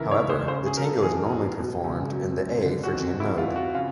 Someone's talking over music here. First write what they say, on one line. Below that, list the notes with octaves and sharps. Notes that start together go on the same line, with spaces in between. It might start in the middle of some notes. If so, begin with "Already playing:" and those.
However, the tango is normally performed in the A Phrygian mode.
Already playing: C#2 C#3 E3 D#4 E4 A#4
C#5
C#2
C5
C#3 C5
G#4
F#2 A#4
A4
E3 G#4
F#2
B2
C#2
F#3
C#2
D3
F#4
F2
F3 E4
F4
F2
F#4
C#3 F4